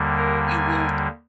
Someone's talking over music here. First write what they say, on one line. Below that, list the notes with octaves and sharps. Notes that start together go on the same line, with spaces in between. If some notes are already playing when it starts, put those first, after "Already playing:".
you will,
Already playing: D#2 D3 G3 A#3
A#4
G#5